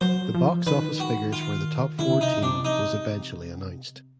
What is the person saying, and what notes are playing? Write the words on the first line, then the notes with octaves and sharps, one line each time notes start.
The box office figures for the top four team was eventually announced.
F#3 C5
F3
D#3 B4
F#4
F4
D3 E4
C3 D#4
C3 D4
D#4